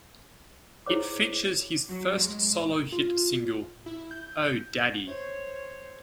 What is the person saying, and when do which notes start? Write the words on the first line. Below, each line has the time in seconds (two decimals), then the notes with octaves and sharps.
It features his first solo hit single, "Oh Daddy".
0.86 E4 G#4 C5 C#5 D6
1.89 F#3
2.18 G#3
2.92 F4
3.86 E4
4.11 G6
5.06 C5 C#5